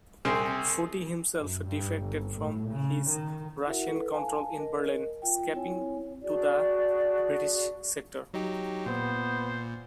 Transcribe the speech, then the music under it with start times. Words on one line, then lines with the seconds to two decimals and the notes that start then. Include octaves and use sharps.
Foote himself defected from his Russian control in Berlin, escaping to the British sector.
0.25 C2 C4 G#4
1.38 F#2
1.67 G2
2.01 G1
2.38 A2
2.71 C#3
3.09 D#3
3.66 E4 F#4 A#4 E5 F#5
3.86 A4 B4
4.14 F5 G#5 A5
4.58 A#4 D#5
5.22 F4 G5
5.54 C4 E4 C#5 G#5
6.21 D4 F#4 G#4 D5
8.34 F#3 D#4 G4
8.86 A#2 B3 C5